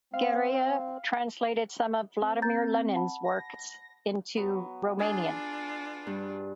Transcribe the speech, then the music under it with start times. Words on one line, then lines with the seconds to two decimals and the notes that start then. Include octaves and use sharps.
Gherea translated some of Vladimir Lenin's works into Romanian.
0.14 C4 F5
2.21 C4
2.42 A#5 G6 A6
2.95 F#5 A5 B5
3.25 A#6
4.37 F#3 B3
4.99 D4 F4 G#4
6.07 G2